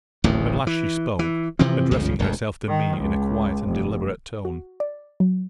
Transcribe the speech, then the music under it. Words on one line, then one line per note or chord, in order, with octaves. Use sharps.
At last she spoke, addressing herself to me in a quiet and deliberate tone.
D1 A1 D#2 G#2
E3
E3
C3 E3 F3 C4
G1 C#2 C#3 F3
E1 D2
D#3
C#2
F1
F#4
D5
F#3